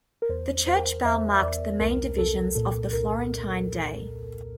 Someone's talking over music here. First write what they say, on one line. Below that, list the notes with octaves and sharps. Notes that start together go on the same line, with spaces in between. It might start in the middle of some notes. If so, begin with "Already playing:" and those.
The church bell marked the main divisions of the Florentine day.
A#4
E2 C5
E2 C5
A#4
C5
E2 E5
E5
E2 D5
C2 A#4
C2 A4
A#2 A4
C2 A#4